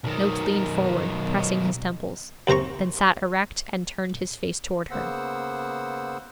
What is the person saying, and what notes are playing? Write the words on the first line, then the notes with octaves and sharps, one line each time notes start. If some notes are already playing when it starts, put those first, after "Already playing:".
Noakes leaned forward, pressing his temples; then sat erect and turned his face toward her.
B1 D#3
D#2 C3 C5 A#5 C#6
C#3 A#3 B3 C5 F#5 E6